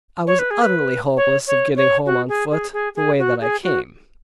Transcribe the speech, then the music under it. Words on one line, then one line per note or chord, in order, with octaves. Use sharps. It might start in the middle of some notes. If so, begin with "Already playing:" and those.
I was utterly hopeless of getting home on foot, the way that I came.
C#5
B4
G#4
B4
C#5
C#5
C#5
F#4
G#4
G#4
G#4
G#4
F#4
G#4
F#4